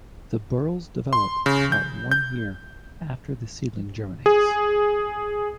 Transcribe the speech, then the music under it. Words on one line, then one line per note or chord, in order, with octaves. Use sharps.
The burls develop about one year after the seedling germinates.
C6
C#3
G6
G6
G#4